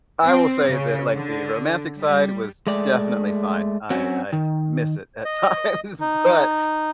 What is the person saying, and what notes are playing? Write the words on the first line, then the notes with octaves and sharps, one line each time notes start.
I will say that, like, the romantic side was definitely fine. I I miss it at times, but
C4
C#3
D3
G3
G#3 A3 D5
F#3 C4 C#4 F#4
D#3
D#5
D#4